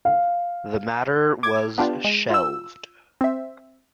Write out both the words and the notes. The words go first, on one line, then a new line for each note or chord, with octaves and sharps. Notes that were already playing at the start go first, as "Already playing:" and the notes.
The matter was shelved.
F5
D6 G#6
B3 D4 F4 G4
G#3
F4 E6
C4 E5